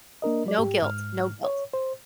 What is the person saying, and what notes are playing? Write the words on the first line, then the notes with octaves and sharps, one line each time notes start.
No guilt. No guilt.
A#3 D4 A#4 D#5
F#3 D5
G#2 G4
G#2 F6
C#5
C5